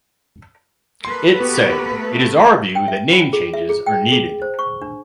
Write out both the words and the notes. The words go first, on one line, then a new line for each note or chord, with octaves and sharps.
It said: It is our view that name changes are needed.
A#3 A4 B4 C6
B3 F#4 G4
A3
G5
E5
F4
G#4
E5
G#4
G5
G#4
C5
C#6
D4